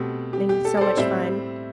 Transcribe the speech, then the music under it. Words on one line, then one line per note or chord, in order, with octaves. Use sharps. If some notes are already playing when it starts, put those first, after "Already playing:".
and it's so much fun.
Already playing: B2 A3 C4 G4
G4
G4
A4
D5
A4 C5
A2 G3 C4 C5 E5